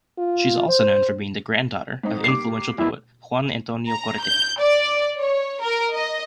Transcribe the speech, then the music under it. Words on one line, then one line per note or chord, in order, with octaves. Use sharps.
She's also known for being the granddaughter of influential poet Juan Antonio Corretjer.
F4
C5
G#2 C4 D#4
G3 A#3 D6 C7
F2 B3 E4
A#5
G6
D5
C#5
A#4
D#5